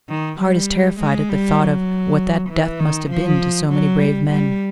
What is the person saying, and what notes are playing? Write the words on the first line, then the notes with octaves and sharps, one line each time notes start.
The heart is terrified at the thought of what that death must have been to so many brave men.
D#3
G3
G#3
G3
F#3
E3
D#3
F3
F#3
G3
G3